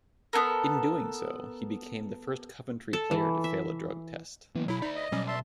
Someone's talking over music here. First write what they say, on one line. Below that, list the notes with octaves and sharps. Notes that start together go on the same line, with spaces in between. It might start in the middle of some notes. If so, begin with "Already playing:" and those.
In doing so, he became the first Coventry player to fail a drug test.
B3 D4 A4 A#4
A4
E3
E5
E3 F#3 A#3 B3
B1 F#3 E4 B5
D#4 D5 E5
D#5
B1 F#3 G3 C#4 D5
E5 A5 C6